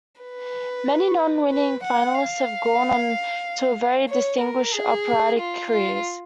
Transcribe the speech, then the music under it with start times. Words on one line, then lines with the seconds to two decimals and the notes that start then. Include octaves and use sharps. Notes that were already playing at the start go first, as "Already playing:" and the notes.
Many non-winning finalists have gone on to very distinguished operatic careers.
0.21 B4
1.50 B4
1.83 F#5
2.15 F5
4.09 C#5
4.41 A#4
4.74 G#4
5.39 F4
5.71 F4